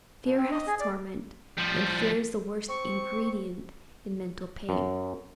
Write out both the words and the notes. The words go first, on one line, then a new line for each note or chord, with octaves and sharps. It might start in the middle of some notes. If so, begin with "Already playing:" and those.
Fear hath torment--and fear is the worst ingredient in mental pain.
B2
C4
D#5
G#4
D5
F3 G3
C4 C#6
F#2